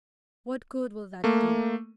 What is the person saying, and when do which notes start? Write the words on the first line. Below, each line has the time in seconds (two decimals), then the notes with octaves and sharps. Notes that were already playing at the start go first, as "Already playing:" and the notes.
"What good will that do?"
1.24 A3 A#3